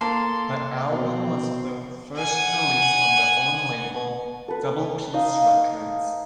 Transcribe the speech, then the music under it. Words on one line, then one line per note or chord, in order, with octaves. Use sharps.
The album was the first release on their own label Double Peace Records.
A#3 A4 C6
B2 C4
F#5 G#5
A4 B4
D#4 D#5 F5